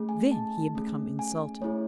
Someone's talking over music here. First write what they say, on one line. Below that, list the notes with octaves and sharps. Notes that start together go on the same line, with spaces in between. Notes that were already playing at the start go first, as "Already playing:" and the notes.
Then he had become insulting.
Already playing: A3 C#4 G#4
G#5
A5
A3 C#4 G#4
G#5
A3 E4 G#4 C#5